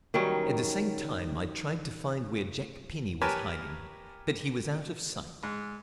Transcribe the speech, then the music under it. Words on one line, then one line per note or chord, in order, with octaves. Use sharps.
At the same time I tried to find where Jack Penny was hiding, but he was out of sight.
D#3 F#3 G3 C#4
G4 A#4 B4 C#5 G#5 A5
G#2